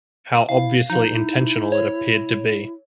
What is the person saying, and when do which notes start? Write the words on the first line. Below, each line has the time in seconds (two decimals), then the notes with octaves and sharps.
How obviously intentional it appeared to be.
0.49 E4 F5
0.90 F3 D#4
1.12 E4
1.72 C#5